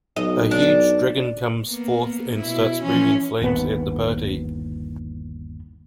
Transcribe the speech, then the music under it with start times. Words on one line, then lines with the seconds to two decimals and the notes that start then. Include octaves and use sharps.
A huge dragon comes forth and starts breathing flames at the party.
0.16 B1 D#5
0.51 D4
1.67 A#3 B3
2.39 B2 E4
2.83 E3 F3 C#4
3.42 G1 D#2 B3